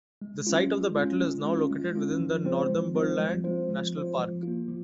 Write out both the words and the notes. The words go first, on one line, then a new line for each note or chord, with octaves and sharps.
The site of the battle is now located within the Northumberland National Park.
G#3
C#4 F4
G#3
C#4 F4
G#3
C#4 F4
G#3
C#4 F4
F3
G#3 C4 F4 C5
F3
G#3 C4 F4 C5
F3
G#3 C4 F4 C5
F3
G#3 C4 F4 C5
F3
A#3 F4
F3